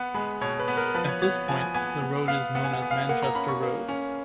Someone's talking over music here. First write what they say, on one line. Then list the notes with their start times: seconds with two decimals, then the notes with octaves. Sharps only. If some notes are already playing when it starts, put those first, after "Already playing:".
At this point, the road is known as Manchester Road.
Already playing: B3 F#5
0.14 G#3 B5
0.41 B2 C#5
0.59 B4
0.68 B3
0.77 A#4
0.94 F3 B4
1.08 C#5
1.22 B3 C#5
1.48 F3 G#5
1.61 G#5
1.74 B3 G#5
2.01 B3
2.28 B3 F5
2.55 B3 F#5
2.64 G#5
2.73 F#5
2.82 B3
2.91 F5
3.09 A#3 F#5
3.22 A#5
3.35 C#4 B5
3.48 C#6
3.63 A#3
3.88 C#4